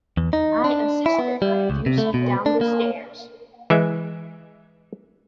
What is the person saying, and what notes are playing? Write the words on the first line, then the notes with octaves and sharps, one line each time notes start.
I assisted Gussie down the stairs.
E2
D#4
D4
E4
B3
G3
C#2
C3
A3
B2
D4
A#3
E3 G#3 E5